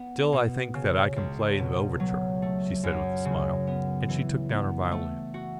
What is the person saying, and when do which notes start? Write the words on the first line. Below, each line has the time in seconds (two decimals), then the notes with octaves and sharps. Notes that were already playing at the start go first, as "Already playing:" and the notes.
"Still I think that I can play the overture," she said with a smile, and she took down her violin.
Already playing: B3
0.33 B2
0.75 C#3
1.16 C#2
1.59 B2
2.00 F#3
2.42 A3
2.83 F#2
3.25 C#3
3.67 B3
4.08 E3
4.50 B3
4.92 A3
5.34 F#4